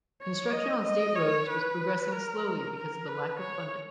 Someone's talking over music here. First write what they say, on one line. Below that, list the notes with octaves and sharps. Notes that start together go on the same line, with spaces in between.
Construction on state roads was progressing slowly because of a lack of funding.
C#5
D#5
D#5
C#5
B4
A#4
A#4
B4
C#5